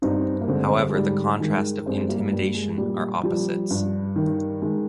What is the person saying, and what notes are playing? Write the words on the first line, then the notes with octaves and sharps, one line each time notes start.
However the contrast of intimidation are opposites.
G2 C4 D#4
A#3
D3 G#3 C4
G#3
G#2 G3
D#3 G#3
G2 G#3 C4
G3 A#3
G2 G3 A#3
G#3
A#2 G3
F3 G3
G2
D#3
D#3 G#3